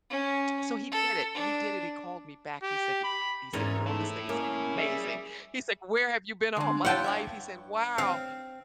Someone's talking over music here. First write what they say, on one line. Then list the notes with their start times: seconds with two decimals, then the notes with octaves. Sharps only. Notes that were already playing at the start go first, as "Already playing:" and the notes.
So he did it. He did it, he called me back, he said g c he said, "Girl, this thing is amazing." He's like, "Where have you been all my life?" He said, "Wow."
0.10 C#4
0.92 A4
1.35 D4
2.63 G4
3.04 B5
3.53 E2 G#2 E3 C#4 A#4
3.87 A3 E4 A5
4.29 A#3 C#4
4.76 G3 G#4 E5
6.56 D3 G#3
6.85 E4 F4 E5 F#5 G5 A5
7.04 G2 C#5 E5
7.98 C4 F5